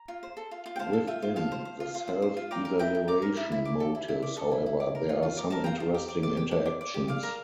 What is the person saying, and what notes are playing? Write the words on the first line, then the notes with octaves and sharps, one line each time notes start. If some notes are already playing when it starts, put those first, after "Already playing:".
Within the self-evaluation motives however there are some interesting interactions.
Already playing: A#5
F4
C5
A4
F4
F4
G5
C5 F5 A5
A4
F4 E5 G5
F4
F4 F5 A5
C5
C5
F4
F4
C5
C5
F4
D5 G5 A#5
A#4
E4 G5 A#5
E4
D5 A#5 D6
A#4
E4
E4
D5
A4
E4
E4
D5
A4
E4
E4
D5
A#4
F4
F4
D5 A#5
A#4 A5
F4 G5 A#5
F4
G4
D5
D5
G4
G4
D5
D5
G4
D5 F5
A#4